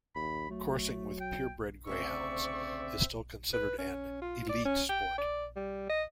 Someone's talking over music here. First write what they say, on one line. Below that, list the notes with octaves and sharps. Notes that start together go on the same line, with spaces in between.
Coursing with purebred Greyhounds is still considered an "elite" sport.
D#2 B5
F#3 A3
G5
D2 C#3 C4 C5 D5 E5 C#6
B4
C#4
F4
D5
C#4
G5
D5
G3
D#5